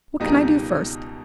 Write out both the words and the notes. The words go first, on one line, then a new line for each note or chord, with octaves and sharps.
What can I do first?
C#2 B2 G3 A#3 D#4